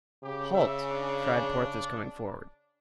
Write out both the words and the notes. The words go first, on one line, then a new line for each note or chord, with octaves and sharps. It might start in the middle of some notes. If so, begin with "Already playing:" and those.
"Halt!" cried Porthos coming forward.
C#3 G4
E5
D4